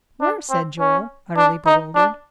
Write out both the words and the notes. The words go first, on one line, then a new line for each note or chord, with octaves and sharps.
"Where?" said Joel, utterly bewildered.
D4
C4
C#4
D4
D#4
D4